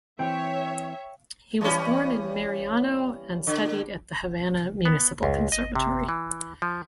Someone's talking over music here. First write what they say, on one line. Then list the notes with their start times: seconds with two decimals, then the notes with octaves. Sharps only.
He was born in Marianao and studied at the Havana Municipal Conservatory.
0.19 E3 C4 C#5 E5 G5
1.61 E3 G3 C#4
3.47 D3
4.85 B3
5.23 C#2
5.52 D#5
5.75 C3
6.09 E3
6.62 F3